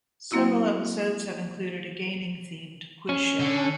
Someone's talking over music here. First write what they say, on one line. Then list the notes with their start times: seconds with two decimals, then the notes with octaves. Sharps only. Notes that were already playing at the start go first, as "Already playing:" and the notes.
Several episodes have included a gaming-themed quiz show.
0.31 F#3 A#3 C4 E4 F#4
3.09 C#4
3.40 D3